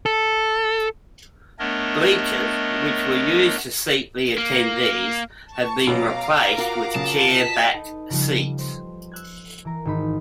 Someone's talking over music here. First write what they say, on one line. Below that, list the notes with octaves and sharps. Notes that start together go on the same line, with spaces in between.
Bleachers, which were used to seat the attendees, have been replaced with chair-back seats.
A4
A3 B3 D4 A#4 C#5 D#5
A#3
A5 C#6
B2 F#3 C#4 F5 A#5 D6
F4 F#4 A#4
C#3 A5
D#5 B6
D#4 A4 B4
C#3 F3 G3
C5
E6 F#6 G#6
E3 A#4
G#1 D#3 D#4 B5